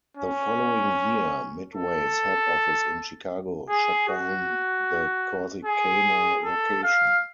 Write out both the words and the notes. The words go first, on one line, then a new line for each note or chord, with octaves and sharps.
The following year, Midway's head office in Chicago shut down the Corsicana location.
C#4
A4
G#4
F#4
G#4
A4
F5